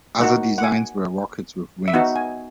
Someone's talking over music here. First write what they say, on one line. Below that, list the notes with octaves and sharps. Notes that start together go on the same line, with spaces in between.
Other designs were rockets with wings.
A#3 D#4 F#4 F#5
F#5
G#5
E5
B3 D#4 F#4 F#5
G#5